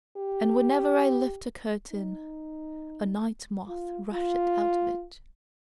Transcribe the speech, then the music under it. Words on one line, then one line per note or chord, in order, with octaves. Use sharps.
And whenever I lift a curtain, a night-moth rusheth out of it.
G4
D#4
F4
F4